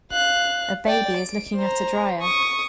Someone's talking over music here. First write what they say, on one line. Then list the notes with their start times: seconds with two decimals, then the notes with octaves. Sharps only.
A baby is looking at a dryer.
0.12 F5 F#6
0.87 D5 G5
1.16 D7
1.56 C5 A#5
2.21 C#6 D#6